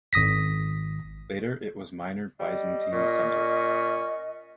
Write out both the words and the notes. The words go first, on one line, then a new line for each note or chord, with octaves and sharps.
Later it was a minor Byzantine center.
G#1 D#6 A#6 B6
G3 D#5
A#2 C#4